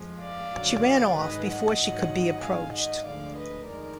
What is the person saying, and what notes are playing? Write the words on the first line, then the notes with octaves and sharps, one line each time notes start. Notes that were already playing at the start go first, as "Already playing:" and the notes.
She ran off before she could be approached.
Already playing: F2 F3 G#3
D5 F5
F2 D3 F#3
G#2 D#3 G#3 B4 D#5
D#5 F#5
G#2 D#3 F#3
G#2 D#3 G#3 F5 G#5
D#5 F#5
D2 D3 F3 G#3 D5 F5
B4 D#5
F2 D#3 G#3 A#4 D5